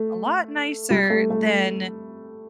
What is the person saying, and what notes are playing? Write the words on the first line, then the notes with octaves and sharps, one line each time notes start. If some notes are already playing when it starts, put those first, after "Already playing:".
a lot nicer than
Already playing: A3
G3
A3
A3